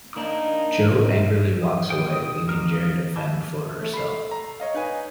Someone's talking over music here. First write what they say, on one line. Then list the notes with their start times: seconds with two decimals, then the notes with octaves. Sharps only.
Joe angrily walks away, leaving Gerry to fend for herself.
0.16 A#3 D4 D#4
1.62 D#6
1.90 B2 D3 G5
2.49 F2 A#3 A#4
3.16 E3 A5
3.81 A3 A4
3.94 B5 C7
4.31 A#5
4.60 C#5 D#5 F5
4.74 D#4 B4 G#5